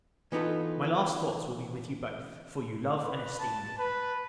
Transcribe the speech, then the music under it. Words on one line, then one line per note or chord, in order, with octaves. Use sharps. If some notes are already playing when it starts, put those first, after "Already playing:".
My last thoughts will be with you both, for you love and esteem me.
E3 B3 D#4 F4 A4
B4
A5
B4